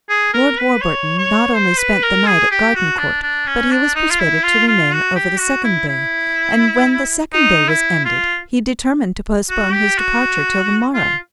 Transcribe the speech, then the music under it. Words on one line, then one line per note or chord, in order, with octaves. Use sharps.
Lord Warburton not only spent the night at Gardencourt, but he was persuaded to remain over the second day; and when the second day was ended he determined to postpone his departure till the morrow.
G#4
A#4
B4
C#5
C#5
C5
B4
A#4
G#4
G4
F#4
D4
D4
C#4
D4
D#4
F4
E4
F4
F4
F#4
G4
F#4
E4
E4
D#4
E4
F4
F#4
G4
F#4
F4